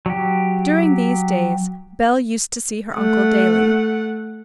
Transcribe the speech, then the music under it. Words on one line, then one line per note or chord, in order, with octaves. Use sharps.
During these days, Bell used to see her uncle daily.
F#3 G4
A3 F#5